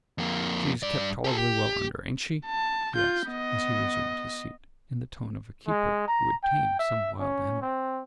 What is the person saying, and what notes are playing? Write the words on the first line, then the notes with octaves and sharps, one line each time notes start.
'She's kept tolerably well under, ain't she?' he asked as he resumed his seat: in the tone of a keeper who had tamed some wild animal.
F2 A#3
G2 D5
G4 A4
G4
A5
F4 G6
B3 D#5
G#3
A#5
G5
E5
C#4
C4